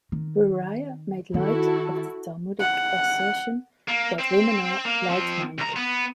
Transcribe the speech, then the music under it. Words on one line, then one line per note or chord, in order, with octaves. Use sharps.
Bruriah made light of the Talmudic assertion that women are "light-minded".
D#3
D#3 E4 F#4 A4
F#5
A#3
C4
A#3
F3 C4
C2 A#5
B3